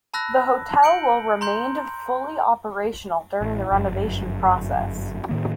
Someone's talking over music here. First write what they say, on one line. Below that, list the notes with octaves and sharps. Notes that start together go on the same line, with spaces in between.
The hotel will remained fully operational during the renovation process.
A5 B5 E6 F#6 A#6
G6 C#7 D7 F#7
A#5 C6 G6
A1
G1 F#2
A2 D#3 A#3